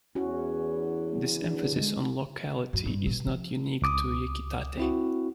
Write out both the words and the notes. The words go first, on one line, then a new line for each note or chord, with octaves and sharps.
This emphasis on locality is not unique to Yakitate!!
E2 C#4 E4 F#4
D4
D3 G#3
F#2
G2
B2
F3
C#2 D6 D#6
C4 E4 F#4